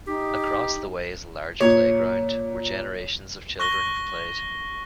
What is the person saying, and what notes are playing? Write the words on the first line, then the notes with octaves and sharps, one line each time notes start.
Across the way is a large playground, where generations of children have played.
D#4 G4
A#2 C#5
C#6 F#6 A#6 G7